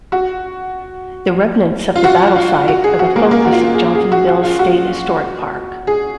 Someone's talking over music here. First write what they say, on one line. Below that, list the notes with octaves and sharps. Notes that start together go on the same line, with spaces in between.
The remnants of the battle site are the focus of Johnsonville State Historic Park.
F#4
F4
F#4
F4
F#4
G#4
F#4
A#3
A#3
F#4
F4
G#4
G#4
F#4
F#4
F4
F#4
G#4